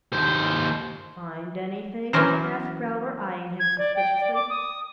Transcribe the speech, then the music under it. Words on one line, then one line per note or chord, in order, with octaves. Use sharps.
"Find anything?" asked Growler, eying him suspiciously.
D#2 C5
E3 F#3 A#3 C#4 A#4 C5
G#6
D5
G5
D5
D6
D#6